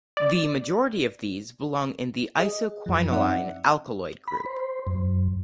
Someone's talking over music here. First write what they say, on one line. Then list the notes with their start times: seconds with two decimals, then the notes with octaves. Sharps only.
The majority of these belong to the isoquinoline alkaloid group.
0.17 D5
2.39 G#4 D#5
2.86 F#2 F3
3.12 C4 D#4 D5 E5 F#5
4.28 B5
4.46 C5
4.87 F#2